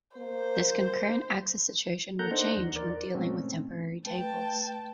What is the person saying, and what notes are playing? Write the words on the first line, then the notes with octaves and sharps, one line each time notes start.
This concurrent access situation would change when dealing with temporary tables.
A#3 C5
A#3 A4 F#5 A#5 G6
D4 D#4 C5 F#5
E2
A#4 D5
G#2 B2 D#3 A3 C4 C#4
A3 B4 G5 A5